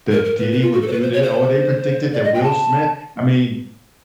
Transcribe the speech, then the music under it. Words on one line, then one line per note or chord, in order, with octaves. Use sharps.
that Diddy would do thi" "Oh, they predicted that Will Smith" I mean
A#4
A#4
B4
B4
F4
F#4
A4
C5
B4
C5
C#5
C5
D5
D#5
G5
A5